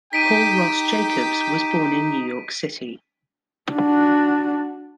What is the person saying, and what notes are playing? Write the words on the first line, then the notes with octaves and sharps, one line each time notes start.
Paul Ross Jacobs was born in New York City.
D#4 G4 G5 B6 D7 D#7
D4 F#4